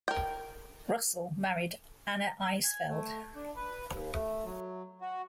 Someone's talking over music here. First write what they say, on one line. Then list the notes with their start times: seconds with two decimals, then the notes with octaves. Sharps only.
Russell married Anna Isfeld.
0.08 A#4 G5
2.64 G#5
2.89 A3
3.35 D4
3.56 B4
3.90 D#2
4.13 A3
4.44 F#3
5.01 F#4